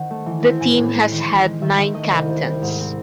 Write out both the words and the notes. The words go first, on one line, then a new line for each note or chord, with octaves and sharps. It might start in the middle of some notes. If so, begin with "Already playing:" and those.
The team has had nine captains.
Already playing: D#3 C4 F#5
A3
E3
C4
A2 G#5
A2
G#3
D#3
D#3
G#3
D#3 E5
D#3 E5
A3 D#5
C2 D#5
C3
C2
G#2
C4